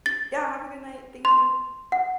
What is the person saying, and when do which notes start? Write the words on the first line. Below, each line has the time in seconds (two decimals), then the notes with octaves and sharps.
Yeah, have a good night. Thank you.
0.06 A6
1.25 C6
1.92 F#5